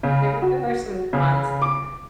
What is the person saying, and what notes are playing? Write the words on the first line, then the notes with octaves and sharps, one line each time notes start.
there there are some cons there.
C#3
F#4
C#3
D6